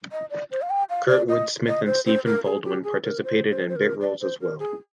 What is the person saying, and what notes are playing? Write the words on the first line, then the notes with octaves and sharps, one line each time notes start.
Kurtwood Smith and Stephen Baldwin participated in bit roles as well.
D#5
D5
C5
F5
G5
F5
D5
D#5
D#5
C5
C5
A#4
G#4
G4
G#4
A#4
C5
C5
C5
A#4
D5
C5
A#4
G#4